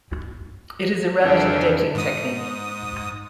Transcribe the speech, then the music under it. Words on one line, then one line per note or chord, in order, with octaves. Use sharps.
It is a relative dating technique.
F2 G#2 C#3 E3 F3 D4 A4
G#2 D#6